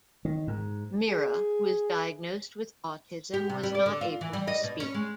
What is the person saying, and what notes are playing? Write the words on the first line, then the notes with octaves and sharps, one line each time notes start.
Mirra, who was diagnosed with autism, was not able to speak.
D#3
G#2
G#4
G4
C3
G3
D5
D3
F4
E3
G3
D#5
B2
C#4
G#3